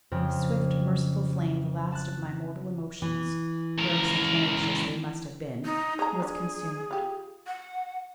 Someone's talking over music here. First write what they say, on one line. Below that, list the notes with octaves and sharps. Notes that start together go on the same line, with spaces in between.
In a swift, merciful flame the last of my mortal emotions--gross and tenacious they must have been--was consumed.
F2 C#3 C4
A5 F#6
E3
C#2 A#4
D#4
G#4 C#5 A#5
D3
F4 G4
F#5